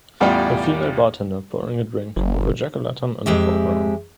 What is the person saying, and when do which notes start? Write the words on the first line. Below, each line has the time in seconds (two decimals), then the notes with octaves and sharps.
A female bartender pouring a drink, with a jackolantern in the foreground.
0.20 A1 E2 G3 F4 D5 G5
2.16 F#1
3.26 F2 G#3 G4 E5